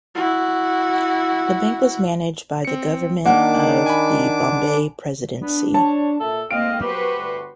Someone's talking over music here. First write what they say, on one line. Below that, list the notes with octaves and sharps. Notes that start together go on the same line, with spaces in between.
The bank was managed by the government of the Bombay Presidency.
E4 F#4
C4 C#7
D#3 A#3 D4 F#5 D6
G#5 B5
B3 D4
C#5 A5
A#2 A4 A#4 E5
G#1 A3 A#3 C4 D#5 F5 G5 D7
F#3 A#3 B3 F#4 G4 B4 C5
G1 D2